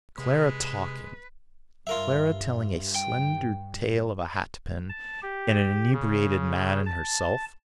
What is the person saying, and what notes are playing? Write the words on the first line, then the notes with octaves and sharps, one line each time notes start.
But Clara talking, Clara telling a slender tale of a hatpin and an inebriated man and herself....
C3 G#3 B4
G2 F4 A#4 E5
G5
A5
G4
C#3
A5